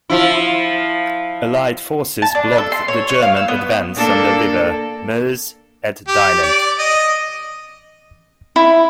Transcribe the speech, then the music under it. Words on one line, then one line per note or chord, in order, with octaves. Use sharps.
Allied forces blocked the German advance on the river Meuse at Dinant.
F3 E4
A5
D4
A4
C6
C#5
C#5
F5
E6
B3
A#3 D4 A4
G4
D5
D#5
E4